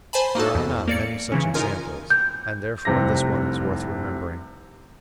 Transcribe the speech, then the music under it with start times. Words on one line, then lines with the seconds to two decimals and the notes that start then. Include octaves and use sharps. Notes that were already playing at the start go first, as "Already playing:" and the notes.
There are not many such examples, and therefore this one is worth remembering.
0.13 C5 G#5 A5 B5
0.35 A#3 D#4 F#4 A4
0.55 E2
0.88 A#3 D5 C#7
1.32 C#3 E3 C#4
1.54 D#4 F4 A#4 G#5
2.10 G6
2.85 F1 C2 C3 A#6